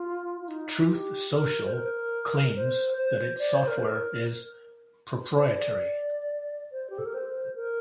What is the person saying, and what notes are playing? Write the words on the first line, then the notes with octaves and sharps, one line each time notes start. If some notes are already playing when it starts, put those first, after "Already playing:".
Truth Social claims that its software is "proprietary".
Already playing: F4
F4
D#4
F4
G4
A#4
C5
A#4
C5
C5
D5
C5
A#4
C5
A#4
C5
D5
C5
G4
A4
A#4
C5
A#4